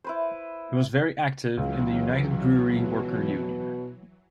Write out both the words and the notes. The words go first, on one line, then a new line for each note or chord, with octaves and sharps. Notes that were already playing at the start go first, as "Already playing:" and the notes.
He was very active in the United Brewery Worker Union.
E4 B4 C5
C#2 E3 F#3
B2